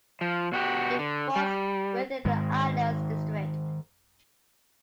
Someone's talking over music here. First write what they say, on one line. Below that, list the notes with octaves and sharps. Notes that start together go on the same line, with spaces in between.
It falls within the Islands District.
F3
B2 F#4 G4
D3
G3
G#2 D#3 G#3